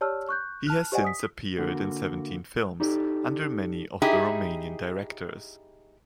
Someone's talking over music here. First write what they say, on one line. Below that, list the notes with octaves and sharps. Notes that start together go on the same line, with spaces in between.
He has since appeared in seventeen films, under many of the Romanian directors.
G4 C#5 D5 A5 E6 F6
C#6 F#6 G6
A5 F6 F#6 F7
G4 C5 D5 D#5 F#5 G#5
D#6 B6
D3 A#3 F#4
D#4 G4 A4 D5
D#4 E4 G4 G#4